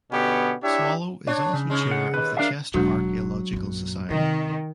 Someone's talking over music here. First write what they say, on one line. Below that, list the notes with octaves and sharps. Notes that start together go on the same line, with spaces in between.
Swallow is also Chair of the Chester Archaeological Society.
B2 D3 B3 C#4 G4
D4 E4 G4 C#5 E5
D4 C#5
C#3
G#3 C#4 D#4
F#5
D#2 B4
D4 A#4 D5 E5 F5
E1 B2 F#3 G#3 D4 F#4
A#1 F#2
C3 D#3